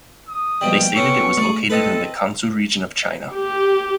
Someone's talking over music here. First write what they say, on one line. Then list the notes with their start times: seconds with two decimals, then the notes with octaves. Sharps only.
They stated it was located in the Kansu region of China.
0.29 D#6
0.61 A#1 B2 G3 G5
0.96 B3 C#4 A4 C#6
1.38 A3 G#4 D5
1.70 C4 A4 B4 D#5 A5
3.35 G4